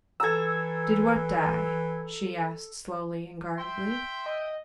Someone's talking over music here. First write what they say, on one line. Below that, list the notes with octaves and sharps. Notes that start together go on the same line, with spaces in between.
"Did what die?" she asked slowly and guardedly....
E3 A4 A#5 E6 G#6
E5 G5 C6
D#5